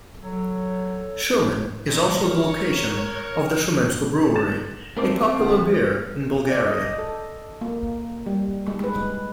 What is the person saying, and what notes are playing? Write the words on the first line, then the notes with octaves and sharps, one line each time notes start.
Shumen is also the location of the Shumensko Brewery, a popular beer in Bulgaria.
F#3 A4 C#5
A#2 E3
A#4 C#5
A6 E7
A3 C4 A#4 D6
D2
D5
D#5
A4
A#3
G3
G#3
B4